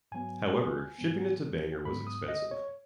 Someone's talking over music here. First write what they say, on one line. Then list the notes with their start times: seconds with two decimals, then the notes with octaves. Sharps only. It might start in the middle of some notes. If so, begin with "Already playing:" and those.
However, shipping it to Bangor was expensive.
0.12 G#2 F#3 B3 G#5
0.98 G#2 F#3 B3
1.85 G#2 F#3 B3 B5
2.07 D#6
2.28 D#5
2.51 C#5